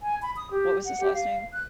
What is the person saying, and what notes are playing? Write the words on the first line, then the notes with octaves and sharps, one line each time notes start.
what was his last name?
G#5
B5
D#6
G4
F#5
G4
F5
F#6